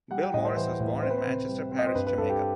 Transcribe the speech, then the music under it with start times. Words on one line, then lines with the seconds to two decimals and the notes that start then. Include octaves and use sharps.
Bill Morris was born in Manchester Parish, Jamaica.
0.11 G3 F#5
0.23 G5
0.34 A2 D#5
0.45 C5
0.57 E3 C5
0.80 A2
1.03 C4 C5
1.10 B4
1.18 C5
1.26 C3
1.49 G3
1.72 C4
1.79 D#5
1.87 C5
1.95 G2 B4
2.07 B4
2.18 G2 A4
2.30 G4